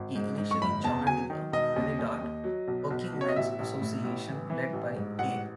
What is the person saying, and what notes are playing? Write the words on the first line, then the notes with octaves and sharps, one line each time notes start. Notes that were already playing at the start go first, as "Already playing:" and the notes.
He initially joined the Trinidad Workingmen's Association led by A.
Already playing: G#1
G#2
G#2
C#6
F#1 B5
E2 A5
F#3 G#5
D#3
E1 D#5
D#2
D#2
D#2
F#3
B1
B1
B2
C#5
D#5
A1 E5
A1
A2
A1
E3
E3
A1
G#2
A1 F#5